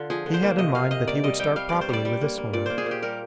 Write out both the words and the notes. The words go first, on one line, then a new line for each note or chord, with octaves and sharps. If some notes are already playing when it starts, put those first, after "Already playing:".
He had in mind that he would start properly with this woman.
Already playing: D3 F4
F3 G#4
D3
C5
A#3
C3 D#5
C3 F5
C3 D#5
A#3 D5
G3 D#5
G3 G5
G3 F5
G2 D5
C5
G3 D5
G3
A#3
A#3
A#2 D5
A#3 C5
G#4
A#2
G4
G3 A#4